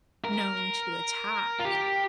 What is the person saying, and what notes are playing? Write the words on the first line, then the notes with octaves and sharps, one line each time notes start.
known to attacked.
A#4
F4
G4